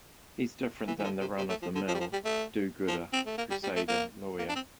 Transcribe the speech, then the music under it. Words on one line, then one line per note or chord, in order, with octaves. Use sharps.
He's different than the run-of-the-mill do-gooder crusader lawyer.
E3
E3
D3
C3
C3
A3
F3
D3
F3
G3
F3
G3
A3
F3
C4
A3
A#3
G3
G3
A3
A#3
A#3
D4
C4